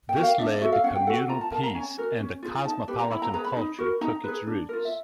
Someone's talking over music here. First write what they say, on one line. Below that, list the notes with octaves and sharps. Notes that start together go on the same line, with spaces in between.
This led to communal peace and a cosmopolitan culture took its roots.
G5
F#4 A#4
F5
D4 E5
D#5
F#4 A4 E5
F5
C#4 F#5
G5
F#4 A4 F#5
F4 A#5
A5
A#4 A5
A#5
C#4 G#5
F#4 A#4
C#4
F4 G#4
D#4 A5
G4 B4
A#5
E4 B5
A#5
G#4 B4 A#5
B5
D#4
F#4 A#4
D#4 A#5
G#4 B4
D4
F4 A#4
E5